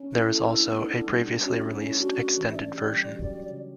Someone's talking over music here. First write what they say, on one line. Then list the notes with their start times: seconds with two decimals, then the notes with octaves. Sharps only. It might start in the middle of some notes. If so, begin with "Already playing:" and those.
There is also a previously released extended version.
Already playing: C#4
0.12 A3 E4
0.31 A4
0.49 D4
0.69 B3
0.87 D4
1.06 G3
1.25 D4
1.43 C#4 F#4
1.61 A3 E4
1.81 C#4 E4
1.99 D4 F#4
2.18 D4
2.37 E3
2.50 E5
2.56 C#4 D5
2.74 G4
2.92 G3
3.12 F#3
3.30 F#3
3.50 C#3